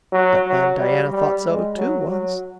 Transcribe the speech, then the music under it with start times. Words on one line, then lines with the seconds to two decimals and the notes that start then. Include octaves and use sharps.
But then Diana thought so too, once.
0.12 F#3
0.45 F#3
0.78 G3
1.11 G3
1.44 G#3
1.77 F#3
2.10 F#3